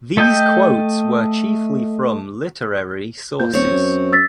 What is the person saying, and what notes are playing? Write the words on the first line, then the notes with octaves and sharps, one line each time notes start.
These quotes were chiefly from literary sources.
A3 A4 D#5 G5 G6
A#2 G6
D#1 C4 C#5
F#2
E6 A6 B6